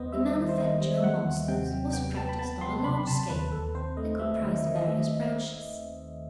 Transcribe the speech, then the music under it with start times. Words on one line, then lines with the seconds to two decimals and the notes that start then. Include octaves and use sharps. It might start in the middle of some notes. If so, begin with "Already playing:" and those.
The manufacture of monsters was practised on a large scale, and comprised various branches.
Already playing: D#2 B3 B4 C5 D#5
0.12 G3 E5
0.35 D#3 D#5
0.49 C5
0.58 D#3 D#5
0.81 G3
0.94 E5
1.03 G3 F#5
1.25 D#2
1.48 C3 G5
1.71 F#3
1.93 B3 G5
2.17 B3 A5
2.29 B5
2.39 B3 A5
2.61 B3 C6
2.84 C3 B5
3.00 B5
3.06 C3 A5
3.30 D#2 B4
3.52 D#2 A4
3.75 C4 C5
3.97 A3 D#5
4.19 A3 E5
4.42 D#3 D#5
4.64 D#3 D#5
4.76 D#5
4.87 A3 E5